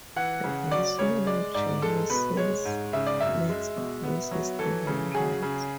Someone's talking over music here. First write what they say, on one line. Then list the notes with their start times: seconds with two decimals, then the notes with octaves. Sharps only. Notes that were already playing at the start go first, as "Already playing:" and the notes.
The ensuing journey sees Max embrace his Divine Right.
0.16 E3 F#5
0.44 C#3
0.71 F#3 D5
0.99 C#3 C#5
1.27 G#3 D5
1.55 G#2 D5
1.82 G#3 A4
2.10 B2 B4
2.37 G#3 C#5
2.65 G#2
2.93 C#3 E5
3.07 D5
3.21 F#2 E5
3.49 G#3
3.76 B2
4.03 B3
4.31 F#3
4.59 E3 A4
4.87 C#3
5.15 F#3 G#4
5.42 C#3